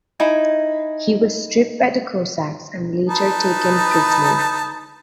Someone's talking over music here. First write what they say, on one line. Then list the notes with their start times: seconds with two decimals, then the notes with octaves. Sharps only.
He was stripped by the Cossacks and later taken prisoner.
0.20 D#4 E4 G#5
3.09 D#4 B4 A5